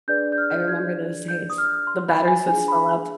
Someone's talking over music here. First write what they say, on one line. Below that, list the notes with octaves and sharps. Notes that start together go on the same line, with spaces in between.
I remember those days. The batteries would swell up.
D4 G#4 B4 D5 G6
G6
F6
G6
G#6
G6
D#6
F6
C6
B5
G#5
D4 F4 G#4 G#5
B5